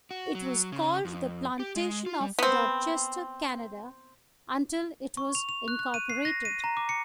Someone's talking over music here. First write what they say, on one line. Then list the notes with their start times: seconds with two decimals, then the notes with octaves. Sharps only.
It was called the Plantation of Dorchester-Canada until it was incorporated.
0.11 F#4
0.35 F#3
0.72 C#3
1.05 F2
1.59 G4
1.76 G#3
2.06 F4
2.20 G3
2.39 B3 C4
5.17 C#6
5.35 F7
5.49 F7
5.68 F#6
5.79 F#6
5.94 D#7
6.10 C7
6.25 A#6
6.45 D#7
6.64 A#5
6.77 D6
6.89 C#7